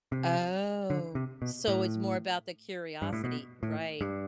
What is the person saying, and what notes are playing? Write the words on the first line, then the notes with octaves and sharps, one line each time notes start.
Oh, so it's more about the curiosity, right?
C3
D3
C3
B2
A2
G2
A2
B2
A2
G2